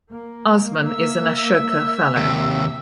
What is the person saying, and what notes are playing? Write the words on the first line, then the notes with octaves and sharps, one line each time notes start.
Usman is an Ashoka Fellow.
A#3
E5 E6
D#2 C3